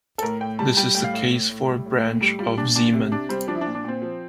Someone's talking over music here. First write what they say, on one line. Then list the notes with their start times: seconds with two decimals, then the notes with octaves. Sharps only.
This is the case for a branch of Zeeman.
0.18 A4
0.22 A2 A#4
0.41 A2 G5
0.59 G3 A5
0.77 G3 G5
0.94 A2 G5
1.04 F5
1.13 A2
1.31 A2
1.50 A2
1.67 G3
1.86 A2
2.03 A2
2.21 G3
2.39 G3 F4
2.57 A#2 D4
2.75 A#2 D4
2.93 C3
3.12 C3 D4
3.29 G3 C4
3.47 F3 D4
3.55 E4
3.61 D4
3.66 A#2
3.75 D4
3.84 A#2 C4
4.02 F3